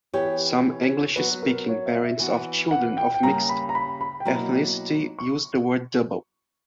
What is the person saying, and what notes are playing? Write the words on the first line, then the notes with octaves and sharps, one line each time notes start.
Some English-speaking parents of children of mixed ethnicity use the word double.
E3 B3 E4 G4 C#5
F#3 B3 F#4 B4
A#4
C#5
E5
E5
E3 B3 F#4
F#5
G5
G5
C#3 G3 A#3 A#5
B5
A#5
B5
B5
G5
B2 F#3 A#3 E4 A#5
C#6